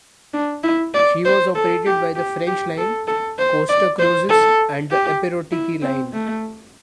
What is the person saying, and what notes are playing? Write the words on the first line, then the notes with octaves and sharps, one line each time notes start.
She was operated by the French Line, Costa Cruises, and the Epirotiki Line.
D4
E4
D5
C5
A4
G4
G4
G4
A4
A4
C5
D5
C5
A4
G4
E4
C4
A3